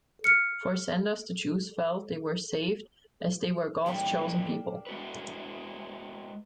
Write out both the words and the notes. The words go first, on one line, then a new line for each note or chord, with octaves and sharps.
For Sanders, the Jews felt they were saved as they were God's chosen people.
F6 C#7
A#2 E3 G3 A#3 D4 G4
G#3 F#4 B4